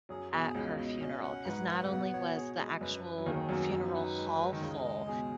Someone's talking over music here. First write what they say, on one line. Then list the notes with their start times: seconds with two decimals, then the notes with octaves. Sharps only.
at her funeral, 'cause not only was the actual funeral hall full,
0.09 F#2 F#3 G#4
0.32 B2 G#4
0.54 C#2 C#3 D#5
0.78 B2 D#5
1.00 C#4
1.23 F#5
1.45 G#2 B4
1.68 F#5
1.85 C#3
1.91 B2 B3
2.13 B2 C#5
2.37 G#4
2.58 G#3
2.81 F#2 F#3 B4
3.04 B4
3.18 F#3
3.26 D#2 D#3 G#4
3.49 F#2 F#3 B3
3.71 F#2 F#3 D#4
3.94 B4
4.17 G#3
4.39 G#3
4.53 D#3
4.62 C#2 C#3 D#5
4.85 G#3
5.07 B2 G#4